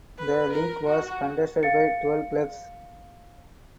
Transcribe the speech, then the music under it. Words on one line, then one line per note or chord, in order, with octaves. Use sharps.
The league was contested by twelve clubs.
B4
A#4
F#4
F5 A6 C#7